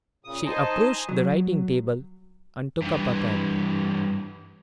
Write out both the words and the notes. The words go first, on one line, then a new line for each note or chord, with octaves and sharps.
She approached the writing table, and took up a pen.
A#2 C#3 D#6
D#4 C5 D#5 G#5 A5
F#3
G2 E3